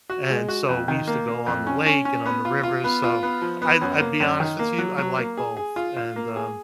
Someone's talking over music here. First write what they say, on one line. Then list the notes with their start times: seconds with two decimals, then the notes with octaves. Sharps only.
and so we used to go on the lake and on the river, so I I'll be honest with you, I like both, and, um
0.10 F#4
0.30 G#3
0.48 F#4
0.69 F2
0.88 D#3
1.07 A#3
1.28 A#3
1.47 F2
1.67 C#4
1.86 C#4
2.05 C#4
2.26 B3
2.45 F4
2.63 F4
2.84 B3
3.04 F4
3.23 B3
3.42 F3
3.62 B3
3.82 F#2
4.01 A#3
4.20 F#2
4.40 D#3
4.59 A#3
4.78 F#3
4.98 F#3
5.18 A#3
5.37 G#4
5.57 G#4
5.76 F4
5.97 F4
6.16 A#3
6.36 G#4